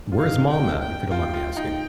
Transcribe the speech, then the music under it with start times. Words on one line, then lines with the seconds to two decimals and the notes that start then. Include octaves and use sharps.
Where's mom at? If you don't mind me asking.
0.12 F4
0.20 D#4 F5
0.50 G5
0.81 G5
1.11 F4 G5
1.34 F4
1.56 D#4 G5